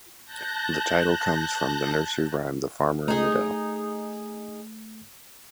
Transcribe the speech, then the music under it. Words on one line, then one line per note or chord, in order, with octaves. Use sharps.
The title comes from the nursery rhyme "The Farmer in the Dell".
A5 F#6 G6 A#6
A3 D#4 G#4